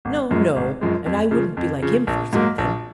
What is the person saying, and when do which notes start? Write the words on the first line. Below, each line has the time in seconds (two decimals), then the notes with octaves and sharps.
No, no. And I wouldn't be like him for something.
0.05 G#1
0.31 F#2 F3 G#3
0.56 G#1
0.81 F#2 F3 G#3
1.06 F2
1.31 C#3 F3
1.57 F2
1.82 C#3 F3
2.07 A#1
2.33 G#2 F#3 A#3
2.58 A#1